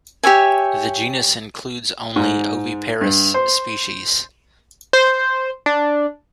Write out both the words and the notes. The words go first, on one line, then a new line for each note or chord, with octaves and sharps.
The genus includes only oviparous species.
G4 C#5 E5 G#5
G#2
G2
C5
C5
D4